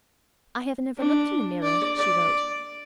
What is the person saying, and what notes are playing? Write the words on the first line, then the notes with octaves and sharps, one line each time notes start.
"I have never looked in a mirror," she wrote.
D4
D5
D5